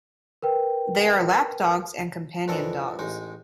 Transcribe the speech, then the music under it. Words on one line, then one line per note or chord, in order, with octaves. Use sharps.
They are lap dogs and companion dogs.
A#4 B4 G5
F2 E3 D4 A4 A#4 D#5
A1 G#3 D#4